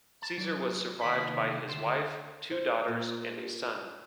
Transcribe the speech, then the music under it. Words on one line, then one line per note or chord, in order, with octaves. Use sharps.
Caesar was survived by his wife, two daughters, and a son.
A5
F#3 D5
C3 D#3 A#3 B5
D2 A5 C6
C5
A#2